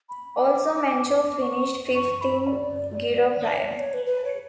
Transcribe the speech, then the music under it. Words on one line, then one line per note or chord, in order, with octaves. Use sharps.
Also Menchov finished fifth in Giro prior.
B5
D6
C#6
C#6
B5
D5
C#5
D5
C#5
B4
B4
C#5